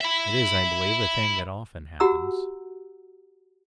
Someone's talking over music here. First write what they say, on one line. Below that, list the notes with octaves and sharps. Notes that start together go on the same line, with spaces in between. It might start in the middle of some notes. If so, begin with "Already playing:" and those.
It is, I believe, a thing that often happens.
E5 B5
F#4 G4 F#5 A#5 E6